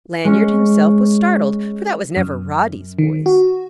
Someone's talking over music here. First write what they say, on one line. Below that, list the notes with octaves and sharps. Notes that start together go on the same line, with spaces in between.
Lanyard himself was startled: for that was never Roddy's voice!
G#3 C#4
F#2
D#3
F#4